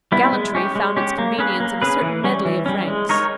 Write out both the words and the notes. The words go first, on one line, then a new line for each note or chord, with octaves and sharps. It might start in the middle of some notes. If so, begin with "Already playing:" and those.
Gallantry found its convenience in a certain medley of ranks.
G3 B3 E4
G#3
C#4 G4
G#3
C#4 G4
A#3
C#4 G#4 B4
A#3
C#4 G#4 B4
E3
G3 C#4
E3
G3 C#4
G#3
D#4 A#4 C#5